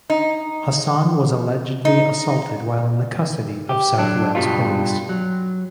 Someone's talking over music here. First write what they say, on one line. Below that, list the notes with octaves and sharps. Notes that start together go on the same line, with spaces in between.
Hassan was allegedly assaulted while in the custody of South Wales Police.
D#4
D#4
G4
F#3 D4
G2 B2 G3 F4
F#3